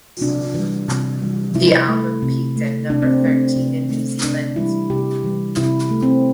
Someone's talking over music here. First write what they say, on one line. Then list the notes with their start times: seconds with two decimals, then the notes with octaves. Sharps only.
The album peaked at number thirteen in New Zealand.
0.21 C3 D4
0.54 E3 G3
0.88 C3
1.22 E3 G3
1.55 C3 E4
1.88 A3
2.22 C3
2.56 A3
2.90 C3 D4
3.02 C4
3.22 A3 C4
3.56 C3
3.90 A3
4.23 C3 D4
4.56 E3 G3 E4
4.90 C3 G4
5.24 E3 G3
5.57 C3 E4
5.91 A3
6.03 C4